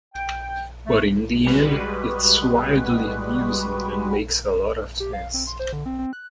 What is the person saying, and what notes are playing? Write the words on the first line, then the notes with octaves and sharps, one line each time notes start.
But in the end, it is wildly amusing and makes a lot of sense.
G5
A3
G3 G#3 F#4 B4
G4
F5
C4
C6
C5
D3
C4
C4
F#6